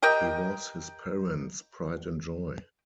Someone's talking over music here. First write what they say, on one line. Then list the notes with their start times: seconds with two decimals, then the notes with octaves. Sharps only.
He was his parents' pride and joy.
0.02 G4 A#4 D#5 G5